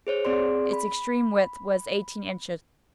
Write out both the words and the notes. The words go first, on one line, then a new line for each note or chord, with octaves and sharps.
Its extreme width was eighteen inches.
G#4 C5 C#5
C4 G#4 D5 C6
B5